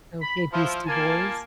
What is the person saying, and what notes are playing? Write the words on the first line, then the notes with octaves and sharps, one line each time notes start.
Okay, Beastie Boys.
B5
F3 E4
A#3 F4 G#5 A5